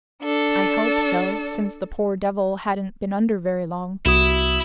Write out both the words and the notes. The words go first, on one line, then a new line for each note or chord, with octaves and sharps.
I hoped so, since the poor devil hadn't been under very long.
D4 A4
C2 E4 F#4 D#6